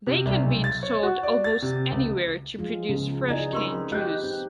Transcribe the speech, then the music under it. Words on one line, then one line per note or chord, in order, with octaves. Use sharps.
They can be installed almost anywhere to produce fresh cane juice.
C3
C2
B1
A6
C#5
F#4
D5
A6
C3
C#2
F3 G#3 F4
C#2
B3 D#4 E4 G#4 D5 D#5
C4 D#4 G4 A#4 B4 C6
G4 D#5 F#6 G6
C4